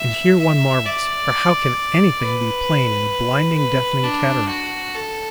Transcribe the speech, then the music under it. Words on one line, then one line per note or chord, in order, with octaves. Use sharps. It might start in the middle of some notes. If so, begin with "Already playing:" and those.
And here one marvels; for how can anything be plain in a blinding, deafening cataract?
Already playing: E5
E5
D5
B4
B4
D4
F#4
A4